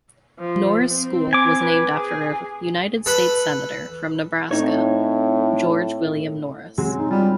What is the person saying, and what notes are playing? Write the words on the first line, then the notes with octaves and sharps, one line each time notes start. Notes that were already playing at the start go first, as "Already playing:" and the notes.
Norris School was named after a United States senator from Nebraska, George William Norris.
F3
C4
G#5 D6
B4
G#4
A4 B4 B5
A2 C4 D#4 C#5
F#3 G#3 C4
D#4
G3 F4